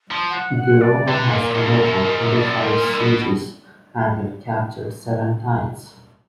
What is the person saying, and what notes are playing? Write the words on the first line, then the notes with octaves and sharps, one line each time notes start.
Girona has undergone twenty-five sieges and been captured seven times.
F3
F#5
F#5
D5
D3 B4
A#2
A#4
F2 A#4
F#2
F#2 A#4
G#2
A#4
F#2
D#5
F2 D5
F#2
G#2 A#4
A#2
A#4
D3
B2